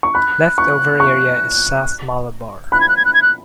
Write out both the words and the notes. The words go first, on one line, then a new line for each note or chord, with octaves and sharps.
Left-over area is South Malabar.
C#6
B5 F#6
C#6
C#6
B5 F#6
G#6
F#6
G#6
F#6
G#6
F#6